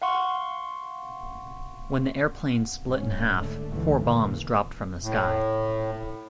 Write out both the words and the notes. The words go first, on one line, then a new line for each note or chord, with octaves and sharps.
When the airplane split in half, four bombs dropped from the sky.
F5 F#5 C6 C#6
G#2 C#4
D3 A3
C#2 G#2 B2 D3 E3 A3
E2 A#2 A#3
A2